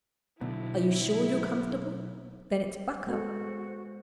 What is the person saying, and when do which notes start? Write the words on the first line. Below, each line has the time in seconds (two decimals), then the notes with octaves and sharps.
Are you sure you're comfortable?' Then it's 'Buck up!
0.41 B1 B2 D3 B3 E4
3.07 G#3 B3 F#4 A4 C5